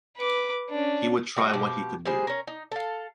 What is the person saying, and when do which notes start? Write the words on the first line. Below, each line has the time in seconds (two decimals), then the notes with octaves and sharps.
He would try what he could do.
0.18 B4 D6
0.70 C#4 D4
1.36 G3 F#4 D#5
1.53 B2 F3 G4
2.05 G3 G#3 G#4 C5
2.27 C#4 A#4
2.47 D#4
2.72 A4 F5